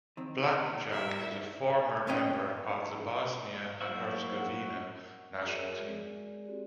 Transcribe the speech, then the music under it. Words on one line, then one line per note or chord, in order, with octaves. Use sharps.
Blatnjak is a former member of the Bosnia and Herzegovina national team.
D#3 C4
G3 A#4 E5
B3 C#4 C#5 D#5 G5
F#3 A#3 E4 F#4 C5 E5
F#5
F#4 G#4 A#4 C#5 D5 E5
G#3 G#4 D5
C4 F#4 G4